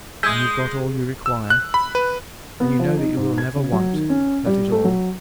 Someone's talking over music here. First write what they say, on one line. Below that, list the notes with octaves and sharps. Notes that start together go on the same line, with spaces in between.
When you've got all you require, and you know that you will never want, that is all.
G#3 E5 G#5 D#6 G6
E6
F#6
B5
B4
B3
F3
D#4
G#2
G#6
C#3
F#3
D#3
C#4
G3
A3
F#3